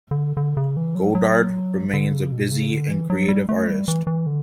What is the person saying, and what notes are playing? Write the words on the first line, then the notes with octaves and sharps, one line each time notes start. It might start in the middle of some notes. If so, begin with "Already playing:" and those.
Godard remains a busy and creative artist.
D3
D3
C#3
E3
F#3
F#3
D3
C#3
B2
C#3
D3
E3
F#3
G3
A3
G3
E3
E3
D3